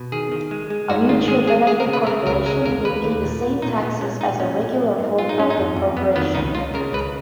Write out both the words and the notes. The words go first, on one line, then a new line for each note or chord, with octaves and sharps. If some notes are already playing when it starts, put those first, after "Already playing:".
A mutual benefit corporation will pay the same taxes as a regular for-profit corporation.
Already playing: B2
D#3 G#4
D#3
G#3
G#3
G#2 F#4
D#3 F4
G#3 G#4
G#3 G#4
G#3 G#4
A#4
C#3
B4
C#3 A#4
C#2 A#4
G#3 A#4
D#2 A#4
D#2 B4
D#2
A#2
A#2
A#2 D#4
A#2 B3
A#2 C#4
A#2 D#4
A#2 C#4
A#2
F#3
G#2
F#3 F4
D#4
G#2 C#4
D#4
F2
F2
F2 B3
D#3 B3
C#2 D#4
C#2 F4
C#3 A#4
C#2 B4